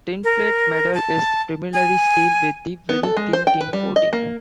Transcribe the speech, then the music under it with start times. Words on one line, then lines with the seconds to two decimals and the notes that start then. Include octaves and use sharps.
Tinplate metal is primarily steel with a very thin tin coating.
0.24 A#4
0.94 A5
1.73 G#5
2.89 B3
3.03 A4
3.17 G#3
3.33 C5
3.47 G5
3.61 B4
3.73 G3
3.96 D#5
4.13 A#3